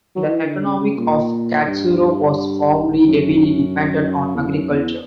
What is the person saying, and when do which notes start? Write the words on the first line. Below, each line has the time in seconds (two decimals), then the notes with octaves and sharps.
The economy of Katsuro was formerly heavily dependent on agriculture.
0.16 F#3
0.27 E3
0.45 D3
0.62 C#3
0.79 C#3
0.97 A#2
1.67 G2
3.07 F#2
4.35 E2
4.47 F#2
4.70 E2